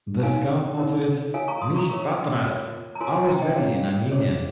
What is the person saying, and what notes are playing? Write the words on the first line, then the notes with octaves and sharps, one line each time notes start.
The Scout Motto is "Misht Badrast", "Always Ready" in Armenian.
D#4 A#4 C#5 F5 G#5
D#4 A#4 C#5
F4 A#4 C#5 F5 G#5
A#5 C#6
C6 D#6
A#5 C#6
F4 A#4 C#5 A#5 C#6
F4 A#4 C#5
A#5
F4 A#4 C#5 G#5 C6
G#5 C6
G5 A#5
D#5 G5
C#4 G#4 C5 C#5 F5
C#4 G#4 C5 C#5